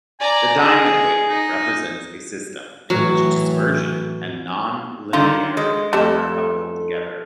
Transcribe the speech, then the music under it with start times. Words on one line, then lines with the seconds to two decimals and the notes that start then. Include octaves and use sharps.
The Dym equation represents a system in which dispersion and nonlinearity are coupled together.
0.20 D5 G#5 A#5
0.58 G#4 D#5
1.28 D#4
2.90 A2 E3 F#3
5.13 D3 D#3 F4
5.57 G#3
5.93 F2 G3 A3 A4